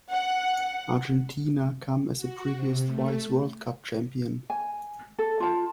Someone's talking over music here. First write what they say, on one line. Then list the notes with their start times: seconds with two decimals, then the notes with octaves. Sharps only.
Argentina come as a previous twice World Cup champion.
0.10 F#5
2.15 F#4
2.50 C3
2.86 A3
4.50 G#5
5.19 A4
5.40 F4 A5